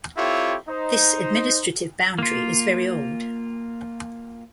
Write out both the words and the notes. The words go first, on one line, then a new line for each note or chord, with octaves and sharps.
This administrative boundary is very old.
C4 E4 F4 G4 A4 C#5
D#4 C5
A#3 F4